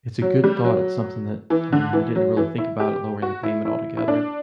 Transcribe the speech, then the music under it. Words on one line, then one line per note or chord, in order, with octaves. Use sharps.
it's a good thought, it's something that, I mean, I didn't really think about it lowering the payment altogether
F#3
G3
F#3
E3
D3
E3
F#3
E3
E4
G4
F#4
E4
E4
E4
D4